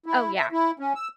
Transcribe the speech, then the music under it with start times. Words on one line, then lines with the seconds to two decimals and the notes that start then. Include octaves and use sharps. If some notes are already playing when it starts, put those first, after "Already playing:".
Oh, yeah.
0.06 E4
0.35 E5
0.52 E4
0.79 C#4
0.95 E6